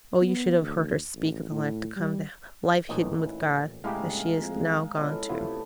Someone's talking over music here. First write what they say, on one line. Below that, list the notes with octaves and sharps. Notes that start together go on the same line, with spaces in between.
Oh, you should have heard her speak of the life to come--the life hidden with God, that she is now gone to.'
B3
D2
A1
A2
G3
A1 A#2 D#4 E4 B4 D#5
G1 A2 C#3 G#3 A#3 E4 G4 F5
F2 G#4
B2 B3 C#4 E4 F4 A4 D#5
C3 A3 B3 D4 E4 F4